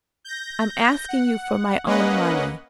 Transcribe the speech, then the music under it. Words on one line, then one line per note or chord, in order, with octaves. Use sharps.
'I'm asking you for my own money.
G6 A#6
F#5
A#3 C#4 B4 D#5 F#5